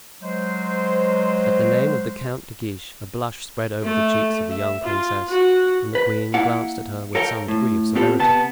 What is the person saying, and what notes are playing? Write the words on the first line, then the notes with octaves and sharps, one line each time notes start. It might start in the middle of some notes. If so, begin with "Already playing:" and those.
At the name of the Count de Guiche a blush spread over the cheeks of the young princess and the queen glanced at her with some degree of severity.
F#3 G#3 C5
A3
E5
F4
F#4
B4
A#3 E4 F5 F#5
A4 A#4 C#5 F5 G5
A2
B3 C4 F4 G4 A4 C5
C3 B3 A5